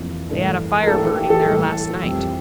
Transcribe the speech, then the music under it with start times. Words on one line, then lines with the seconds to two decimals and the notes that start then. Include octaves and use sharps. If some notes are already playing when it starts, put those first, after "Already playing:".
"They had a fire burning there last night."
Already playing: F2 C3 E3 A#3
0.30 G2 E3 A3 D4
0.82 A#4
0.87 A2 E3 A#3 D4 A4
1.16 G4
1.30 A4
1.45 A2 E3 G3
2.02 F2 E3 G3 C4 G4